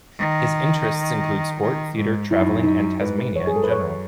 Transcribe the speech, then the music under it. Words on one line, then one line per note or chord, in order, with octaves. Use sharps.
His interests include sport, theatre, travelling and Tasmania in general.
D#3
D#3
G#2
F#2 E4
D#4
D#4
G#2 B4
B4
F#2 C#5
G#4
A4
B4
C#5